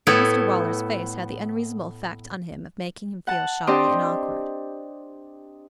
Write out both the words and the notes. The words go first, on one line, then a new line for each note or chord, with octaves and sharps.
Mr Waller's face had the unreasonable effect on him of making him feel shy and awkward.
A2 A3 B3 E4
F#5 A5
C4 D4 G4 C5 D5 D#5